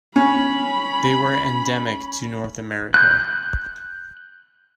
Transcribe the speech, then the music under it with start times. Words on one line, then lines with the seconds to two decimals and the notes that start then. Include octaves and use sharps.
They were endemic to North America.
0.16 C#4 B5
2.94 F#6 G6